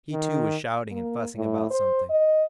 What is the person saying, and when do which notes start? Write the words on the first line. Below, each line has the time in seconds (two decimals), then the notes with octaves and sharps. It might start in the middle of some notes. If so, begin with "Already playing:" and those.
He, too, was shouting and fussing about something.
0.13 D#3
0.91 A#3
1.36 A2
1.71 C5
2.10 D#5